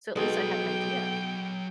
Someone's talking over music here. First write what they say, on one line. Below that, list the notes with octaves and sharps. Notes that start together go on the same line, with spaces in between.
so at least I have an idea?
B1 B2 F#3 G#3 D#5 G5